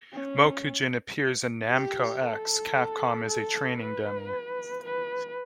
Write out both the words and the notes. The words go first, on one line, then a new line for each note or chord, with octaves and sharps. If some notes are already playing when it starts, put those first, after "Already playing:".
Mokujin appears in Namco x Capcom as a training dummy.
C#4
G4
A4
A4
B4
B4